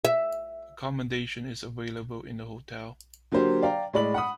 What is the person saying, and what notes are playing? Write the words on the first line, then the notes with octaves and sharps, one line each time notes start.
Accommodation is available in the hotel.
E5
D3 F#3 A#3 G4 C5
D5 F5 G5 A#5
A2 G#3 D5 B5 F#7
F#5 B5 D#6